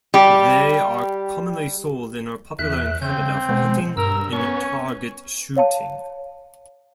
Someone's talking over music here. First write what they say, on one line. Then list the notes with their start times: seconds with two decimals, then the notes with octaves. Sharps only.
They are commonly sold and are popular in Canada for hunting and target shooting.
0.14 G3 G4
2.59 E2 E5 F#6
3.02 C#3 C4 G6
3.49 B2 G#3 B3 C5
3.97 G2 A#4 E6
4.33 B3 C#4 C#6
5.57 C#5 F5 A5